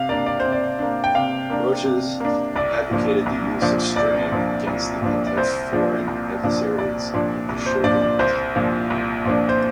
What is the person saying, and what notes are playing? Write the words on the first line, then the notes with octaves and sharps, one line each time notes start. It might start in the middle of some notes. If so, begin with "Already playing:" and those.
Roches advocated the use of strength against the anti-foreign adversaries of the Shogunate.
Already playing: C3 F5
A#3 D4 D5
D5
C3 C5
D5
A#3 D4
G5
C3 F5
A#3 D4
C3
A#3 D4
C2 D5
A#2 F3 D4
C2
A#2 F3 D4
C2 D5
A#2 F3 D4
C2
A#2 F3 D4
D5
C2 C5
A#2 F3 D4
C2
A#2 F3 D4
C2 D5
A#2 F3 D4
C2
C5
A#2 F3 D4 D5
D5
C2 C5
A#2 F3 D4
C2
A#2 F3 D4
C5